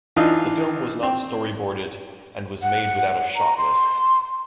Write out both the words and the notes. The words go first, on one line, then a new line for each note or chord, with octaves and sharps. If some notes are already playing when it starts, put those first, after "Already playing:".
The film was not storyboarded and was made without a shot list.
E3 D4 D#4 F4
C4
F#5
A#5
C6